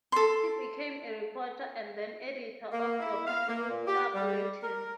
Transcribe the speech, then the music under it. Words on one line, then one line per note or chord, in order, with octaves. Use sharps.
He became a reporter and then editor of the "Honolulu Star-Bulletin".
A4 C6
A#3
E4
F5
A#3
A#2
G4
G3
A#4